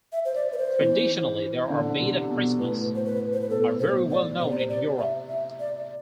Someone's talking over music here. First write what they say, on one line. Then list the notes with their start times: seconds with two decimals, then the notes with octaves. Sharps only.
Traditionally, they are made at Christmas, are very well known in Europe.
0.12 E5
0.25 C5
0.35 D5
0.53 B4
0.58 C5
0.80 E3
1.70 D3
2.00 C3
2.30 B2
2.59 A2 B4
2.95 C5
3.05 B4
3.33 C5
3.41 B4
3.50 B2 A4
3.80 B2 C5
4.10 D5
4.39 C3 C5
4.50 D5
4.59 C5
4.69 D5
4.99 E5
5.29 E5
5.60 D5